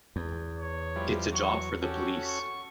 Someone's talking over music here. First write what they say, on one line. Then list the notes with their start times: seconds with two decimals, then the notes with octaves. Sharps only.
It's a job for the police!
0.16 E2
0.59 C#5
0.96 E3 F3 G3
1.33 F#3 C#6
1.82 C#4 F#4 G4 A4
2.27 C#6